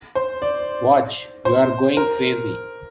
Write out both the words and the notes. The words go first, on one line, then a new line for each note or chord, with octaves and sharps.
Watch, you are going crazy!
C5
D5
C5
A#4